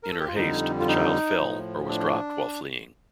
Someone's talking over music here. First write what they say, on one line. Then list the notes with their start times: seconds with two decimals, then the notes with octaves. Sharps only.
In her haste, the child fell, or was dropped while fleeing.
0.03 A#4
0.12 A4
0.20 G4
0.28 F4
0.36 F2 D3 G3 D#4
0.80 F4
0.88 D#4
1.38 A2 F3
1.89 D4